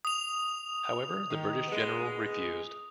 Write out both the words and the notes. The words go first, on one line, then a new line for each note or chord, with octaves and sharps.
However, the British general refused.
D#6 F7
D#3
G#3 B3